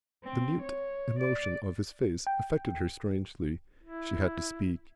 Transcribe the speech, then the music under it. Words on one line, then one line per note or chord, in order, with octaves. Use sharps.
The mute emotion of his face affected her strangely. She had to speak.
C4
C#5
D5
G5
E4